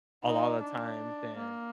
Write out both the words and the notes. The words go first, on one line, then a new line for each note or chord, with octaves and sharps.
a lotta the times, and
D#4
D4
A#3